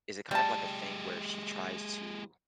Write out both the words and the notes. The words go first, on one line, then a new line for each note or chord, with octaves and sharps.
Is it kind of like a thing where she tries to
G3 G#3 G4 A5